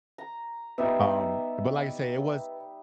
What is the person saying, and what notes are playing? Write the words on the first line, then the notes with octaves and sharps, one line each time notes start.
um, but, like I say, it was
A#5
G3 B3 D#4 E5